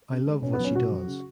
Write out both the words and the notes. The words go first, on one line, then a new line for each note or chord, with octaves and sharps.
I love what she does.
C#3
G#3
B2 C#4
B3
F#3
C#4
B2 F#4
F#3
C#3